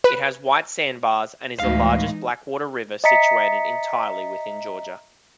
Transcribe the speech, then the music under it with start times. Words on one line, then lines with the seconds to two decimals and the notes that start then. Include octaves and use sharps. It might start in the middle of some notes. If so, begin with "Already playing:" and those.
It has white sandbars and is the largest blackwater river situated entirely within Georgia.
0.04 B4
1.60 D2 A2 E3 G#3 D#4 F5
3.04 D#5 E5 A#5 B6 C#7